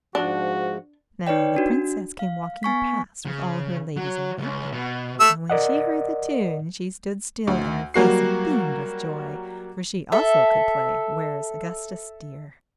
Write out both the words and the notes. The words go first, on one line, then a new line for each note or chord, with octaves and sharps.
Now the Princess came walking past with all her ladies-in-waiting, and when she heard the tune she stood still and her face beamed with joy, for she also could play 'Where is Augustus dear?'
G#2 F3 D4 F#4
D#4 B4 C#5 D5 G5
D4 F#4
F5
B3 G#5 C#6 B6
C#3
F#3
C#2
B2
A3 E5 E6
A#4 D5 D#5 F#5
D2
F#3 G3 A#3 F#4 C7
A4 E5